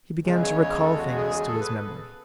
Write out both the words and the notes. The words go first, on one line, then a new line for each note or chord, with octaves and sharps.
He began to recall things to his memory.
E2 C#3 G#3
C#5
C#5
A4
F#4
G#4
G#4
A4
B4